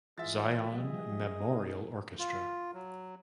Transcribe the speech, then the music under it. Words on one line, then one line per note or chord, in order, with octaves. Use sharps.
Zion Memorial Orchestra.
E3 G#3 F4 E5 A6
F3 G3 G#4 D#5
D#4
F4
F#3